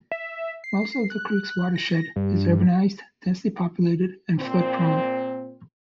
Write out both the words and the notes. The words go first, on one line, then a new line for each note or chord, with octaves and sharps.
Most of the creek's watershed is urbanized, densely populated and flood-prone.
E5
C7
F#6
A#6
G2
A#2 C4